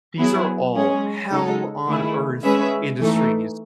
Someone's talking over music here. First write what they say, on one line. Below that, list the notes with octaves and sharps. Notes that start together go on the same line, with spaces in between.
These are all hell-on-earth industries.
F#3 B3 E4 G#4
G#3 C#4 G#4
C#3 G#3 D#4 A4
D#3 A3 E4 G#4
G#3 C#4 G#4 B4 E5
E3 A3 D#4